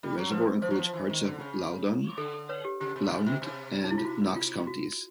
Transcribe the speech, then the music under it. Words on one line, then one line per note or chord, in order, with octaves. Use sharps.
The reservoir includes parts of Loudon, Blount, and Knox counties.
G3
F#3
F3 B4
F3 C5
F#3
F3
E3
D#3
D3
C#3
D3 A4
A4
B4 C#5
G4
C#3 G4
C3
C#3
C3
B2
C3
D#4
E4
F4
F#4
F4
F#4